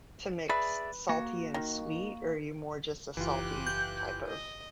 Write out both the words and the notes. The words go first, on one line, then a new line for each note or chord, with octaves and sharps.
to mix salty and sweet or are you more just a salty type of
G#4 B4 D5 E5
A#3 F#4
D#3
F#1 E3 F4 G4 F#6
G6
D#5